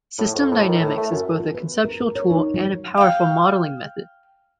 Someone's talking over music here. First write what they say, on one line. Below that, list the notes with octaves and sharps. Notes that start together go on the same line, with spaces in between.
System dynamics is both a conceptual tool and a powerful modeling method.
A2
F2
A2
D#3
A2
A3
F#2
F4
B4
A#4
A#4
C#5
D#4
F#3
F5 G5